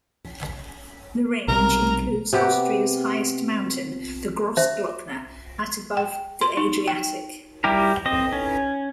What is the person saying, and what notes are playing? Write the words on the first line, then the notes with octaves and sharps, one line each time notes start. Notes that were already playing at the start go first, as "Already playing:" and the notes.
The range includes Austria's highest mountain, the Grossglockner at above the Adriatic.
B1 C3 G3 A#4
C3 B3 G4 F#5
C5 E5
G5
C6
D#4
G5
G3 E4 G4 A#4
C4 D#5
C#4